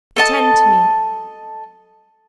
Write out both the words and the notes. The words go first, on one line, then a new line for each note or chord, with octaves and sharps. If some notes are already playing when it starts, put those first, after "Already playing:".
"Attend to me."
A4 D#5 A5